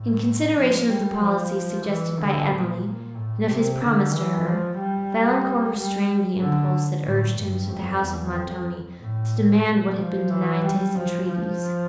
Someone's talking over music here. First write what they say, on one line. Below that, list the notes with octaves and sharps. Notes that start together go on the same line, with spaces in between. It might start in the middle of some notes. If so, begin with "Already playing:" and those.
In consideration of the policy, suggested by Emily, and of his promise to her, Valancourt restrained the impulse, that urged him to the house of Montoni, to demand what had been denied to his entreaties.
Already playing: A2
F3
G3
F3
E3
D3
A#2
A#2
A2
C3
D3
E3
F3
G3
G3
D3
A2
G2
F2
E2
F2
A2
A#2
F3
E3
G3
F3
F3